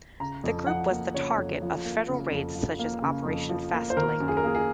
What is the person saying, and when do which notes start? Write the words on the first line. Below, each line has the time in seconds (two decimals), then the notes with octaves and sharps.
The group was the target of federal raids such as Operation Fastlink.
0.20 C#3 A#5
0.44 F2
0.67 F3 F#5
0.90 A#3
1.14 C#3 C#5
1.38 F2
1.62 F3
1.85 A#3
2.08 C#3
2.31 F2
2.55 F3
2.79 A#3
3.02 C#3
3.25 F2
3.49 F3
3.73 A#3
3.90 C5
3.97 D#3 A#4
4.20 F#2
4.28 G#4
4.37 A#4
4.44 A#3 G#4
4.55 G#4